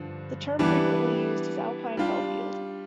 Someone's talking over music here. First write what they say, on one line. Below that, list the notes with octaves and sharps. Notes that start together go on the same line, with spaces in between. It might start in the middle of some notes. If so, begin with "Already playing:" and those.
The term frequently used is alpine fellfield.
Already playing: G2 D3 F3
E3 G3 B3 D4
G3 D4 F4